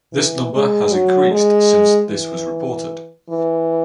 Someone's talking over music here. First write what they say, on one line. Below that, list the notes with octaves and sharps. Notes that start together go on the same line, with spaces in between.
This number has increased since this was reported.
E3
G#3
F#3
G#3
E3
E3